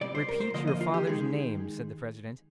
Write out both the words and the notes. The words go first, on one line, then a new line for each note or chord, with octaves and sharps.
"Repeat your father's name," said the president.
C3 G3 C4 D5
C5
A#4
C5
D3 F3 A#3 D#5
D#5
F4
G4
D#3 G#3 D#4 G#4